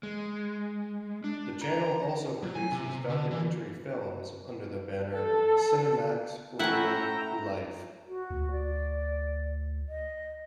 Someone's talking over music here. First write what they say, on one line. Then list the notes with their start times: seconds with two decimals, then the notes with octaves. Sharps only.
The channel also produces documentary films under the banner "Cinemax Reel Life".
0.03 G#3
1.24 D4
1.61 A#5
2.43 F#3
2.55 G#5
2.72 C3
3.09 D3
3.31 E3
5.14 A4
6.59 A3 C#4 E4 E5 F#5 G5 A#5
8.07 F#4
8.30 D2
8.51 D5
9.89 D#5